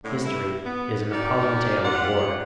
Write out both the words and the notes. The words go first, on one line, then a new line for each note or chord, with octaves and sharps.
History is an appalling tale of war.
A2 D3
G2 E4
B3
C#4 D#4 F#4 G4 A#4 D5
F4 G4 F#5